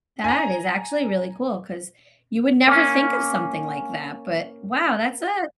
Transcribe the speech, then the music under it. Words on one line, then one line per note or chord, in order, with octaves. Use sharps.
That is actually really cool, 'cause you would never think of something like that, but wow, that's a
G#5 A#5
A#3 C#4